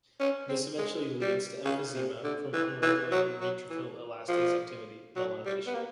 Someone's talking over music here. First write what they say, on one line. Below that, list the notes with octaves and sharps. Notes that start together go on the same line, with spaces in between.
This eventually leads to emphysema from unregulated neutrophil elastase activity in the lung tissue.
C#4
C4
G#3
G3
C#3
C3
D3
E3
E3
F#3
F#3
E3
F3
F#3
G3
B3
A#3